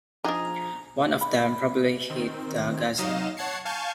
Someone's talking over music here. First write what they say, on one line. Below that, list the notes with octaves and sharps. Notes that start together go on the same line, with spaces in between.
One of them probably hit the "Ghazi".
F3 D4 D#4 F4 G#4 D#5 A#5
B5
D#3 C4
C3 F#3 D#4 D#5 F5 E7
C#5 F#5 A5 G#6 C7 C#7
F5 G#5 A5 C#6 G6